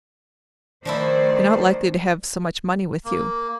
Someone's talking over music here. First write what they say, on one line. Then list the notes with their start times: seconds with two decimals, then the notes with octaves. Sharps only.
You're not likely to have so much money with you.
0.85 D#3 F3 A3 D4 E4 C5 D5
3.05 A#3